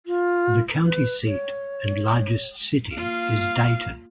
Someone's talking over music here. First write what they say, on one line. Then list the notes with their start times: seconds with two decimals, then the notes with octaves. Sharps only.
The county seat and largest city is Dayton.
0.06 F4
0.83 B4
1.26 C#5
2.95 A#3 F4 F5